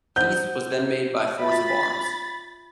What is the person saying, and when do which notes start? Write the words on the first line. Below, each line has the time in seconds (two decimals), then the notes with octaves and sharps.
Peace was then made by force of arms.
0.16 C5 F#5 G6
1.41 F4 E5 B5 A6